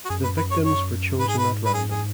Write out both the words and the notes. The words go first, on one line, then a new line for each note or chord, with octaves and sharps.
The victims were chosen at random.
F#4
F#2 G#4
B4
B4
C#5
C#5
G#2 B4
G#4
B4
B4
G#4
G#4